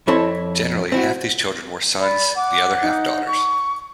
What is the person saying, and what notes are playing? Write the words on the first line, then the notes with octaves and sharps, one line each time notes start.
Generally half these children were sons, the other half daughters.
F2 C4 E4 A4 C#5 A5
C4 E4 F#4
D5 B5
F#5 D6
D#4
C#6